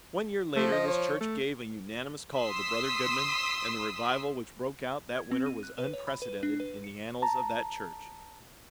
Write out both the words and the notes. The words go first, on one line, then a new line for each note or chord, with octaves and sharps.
One year later this church gave a unanimous call to Brother Goodman and the revival which broke out that winter was unprecedented in the annals of that church.
F3 A3
D#5
C#5
A3
C6 D#6 E6 B6
G#6
C4
D#7
F#6
B4
C#5
B5
B4
D4
B4
C#7
A5 A#5